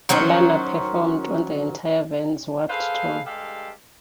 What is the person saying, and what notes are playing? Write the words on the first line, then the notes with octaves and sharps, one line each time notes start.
Alana performed on the entire Vans Warped Tour.
D#3 F#3 C#4 C5
G#4 A4 B4 C5 F5
G2 G#3 G4 A4 F5 G5